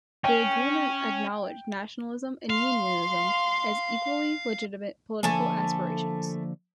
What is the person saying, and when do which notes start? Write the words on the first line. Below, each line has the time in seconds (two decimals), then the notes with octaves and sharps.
The agreement acknowledged nationalism and unionism as "equally legitimate, political aspirations".
0.24 C#4 G5
2.50 F5 C6
5.23 D3 F3 A3 A#3 A4 G#5